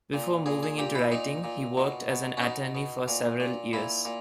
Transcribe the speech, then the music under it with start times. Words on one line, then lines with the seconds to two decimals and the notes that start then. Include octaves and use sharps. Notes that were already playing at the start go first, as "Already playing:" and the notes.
Before moving into writing, he worked as an attorney for several years.
0.13 A#2
0.46 A#2 G#4
0.63 G#4
0.78 A#2 G4
0.95 E4
1.11 A#2 D#4
1.44 A#2
1.77 B2
2.10 B2
2.37 C#4
2.42 B2 D#4
2.75 B2
3.08 A#2
3.40 A#2
3.73 A#2 E4
4.05 A#2